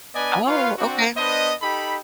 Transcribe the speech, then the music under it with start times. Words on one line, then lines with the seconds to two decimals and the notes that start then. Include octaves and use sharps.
Oh, okay.
0.15 B3 D4 B4 D5 D#5 G#5
0.46 F4 B4 C#5 F5
0.78 C4 D4 F#4
1.16 B3 D4 B4 C5 D#5
1.61 D#4 G4 A4 B5